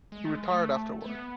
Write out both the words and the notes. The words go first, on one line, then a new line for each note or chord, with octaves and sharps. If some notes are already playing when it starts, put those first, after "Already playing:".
He retired afterward.
G#3
A3
G#3
G#3
A3
A3
B3